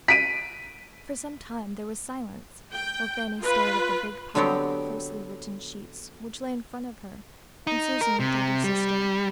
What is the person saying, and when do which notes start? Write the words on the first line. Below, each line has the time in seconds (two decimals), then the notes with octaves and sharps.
For some time there was silence while Fanny stared at the big pile of closely written sheets which lay in front of her and Susan looked at her sister.
0.08 B6 D7 D#7
2.73 G5
3.39 F4 B4
4.35 D3 F#3 B3 C4 G4
7.67 D#4
8.01 A#4
8.20 C3
8.64 G3